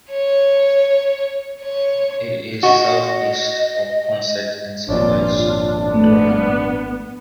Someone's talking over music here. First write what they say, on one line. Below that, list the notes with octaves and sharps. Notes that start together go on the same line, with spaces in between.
It is southeast of Consett and southwest of Durham.
C#5
C#5
F#4 D#5
G#1 F2 A#2 D4 F4 C#5
A3 B3